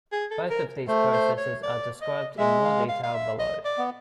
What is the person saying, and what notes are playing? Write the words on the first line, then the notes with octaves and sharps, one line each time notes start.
Both of these processes are described in more detail below.
G#4
A4
A#4
A3 C5
C5
C#5
D5
D#5
G#3 E5
F5
F5
F5
E5
D#5
D5
B3